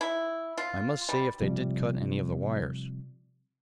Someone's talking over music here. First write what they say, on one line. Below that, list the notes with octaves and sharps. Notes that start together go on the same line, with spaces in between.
"I must see if they did cut any of the wires."
E4
F4
G3
C3 F3 G3